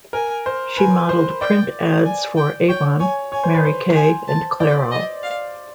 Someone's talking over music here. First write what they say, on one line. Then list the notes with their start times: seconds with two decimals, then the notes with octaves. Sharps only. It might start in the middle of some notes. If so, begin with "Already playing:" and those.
She modeled print ads for Avon, Mary Kay, and Clairol.
0.13 A#4 G#5
0.46 C5
0.77 B4 G#5
1.09 C5
1.41 D5 G5
2.05 G#5
2.36 G5
2.68 C#5 G5
3.00 C#5 G#5
3.32 C#5 G#5
3.43 C5
3.54 B4
3.65 C5
3.95 G#5
4.28 A5
4.60 D5 G5
4.91 D#5
5.23 F5